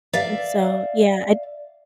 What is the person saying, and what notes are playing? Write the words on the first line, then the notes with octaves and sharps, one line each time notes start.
And, so, yeah I'd
D5 E5 F5